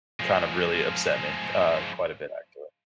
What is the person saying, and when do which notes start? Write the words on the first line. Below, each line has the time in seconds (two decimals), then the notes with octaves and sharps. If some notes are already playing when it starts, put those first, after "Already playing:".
kind of really upset me, uh, quite a bit, actually.
0.20 F3 G#3